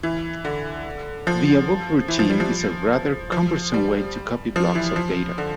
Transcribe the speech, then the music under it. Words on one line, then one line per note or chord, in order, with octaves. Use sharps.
The above routine is a rather cumbersome way to copy blocks of data.
E3
D3
F3
E3
F3
G3
F3
F3
G3
F3
E3
F3
D3